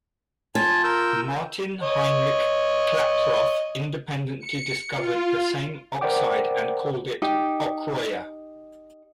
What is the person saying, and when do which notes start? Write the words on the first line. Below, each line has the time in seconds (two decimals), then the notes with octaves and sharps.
Martin Heinrich Klaproth independently discovered the same oxide and called it "ochroia".
0.55 F4 G#5 A5
0.84 A#4 E6 G6
1.83 C#5 D#5
4.39 C#7
4.96 F4
6.01 A#4 C5 D5 F#5 G5 D6
7.22 D#4 G4 G5